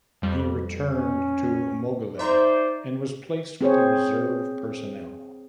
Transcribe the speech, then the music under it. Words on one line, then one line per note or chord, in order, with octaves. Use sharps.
He returned to Mogilev and was placed with the reserve personnel.
F2 G3
C#4
D#4 C5 D5 E5 A#5 G6
C4 G#4 C5 C#5